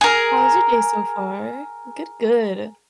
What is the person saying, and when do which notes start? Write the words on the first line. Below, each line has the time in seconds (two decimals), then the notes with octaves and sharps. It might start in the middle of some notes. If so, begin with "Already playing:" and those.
How's your day so far? Good, good.
0.01 G#4 A#4